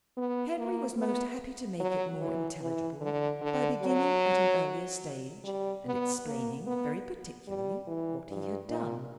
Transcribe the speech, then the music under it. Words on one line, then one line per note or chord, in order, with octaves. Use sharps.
Henry was most happy to make it more intelligible, by beginning at an earlier stage, and explaining very particularly what he had done.
B3
A#3
B3
F#3
E3
E3
D3
D3
F#3
G3
B3
A#3
B3
G3
E3
G2
A#2